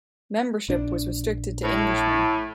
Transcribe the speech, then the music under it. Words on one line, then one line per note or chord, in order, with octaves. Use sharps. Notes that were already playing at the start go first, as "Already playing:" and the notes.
Membership was restricted to Englishmen.
A#1 D4
A2